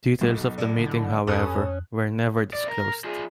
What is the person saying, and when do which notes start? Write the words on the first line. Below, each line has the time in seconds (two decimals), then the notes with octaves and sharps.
Details of the meeting, however, were never disclosed.
0.21 B1 B2
0.58 A2 E4 D5
0.79 D3
1.27 F2 C#4 G4 A4 B4 A5 D#6 F#6
2.53 F2 D5
2.68 A#4
3.04 F3 G#4